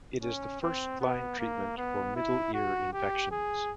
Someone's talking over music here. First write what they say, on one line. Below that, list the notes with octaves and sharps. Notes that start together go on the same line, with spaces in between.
It is the first line treatment for middle ear infections.
C#4
C4
B3
A#3
B3
E4
F#4
G4
G#4